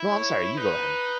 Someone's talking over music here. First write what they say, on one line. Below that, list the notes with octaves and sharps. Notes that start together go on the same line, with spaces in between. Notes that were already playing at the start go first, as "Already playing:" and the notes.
No, I'm sorry, you go ahead.
Already playing: E4
C#5
D#4 B4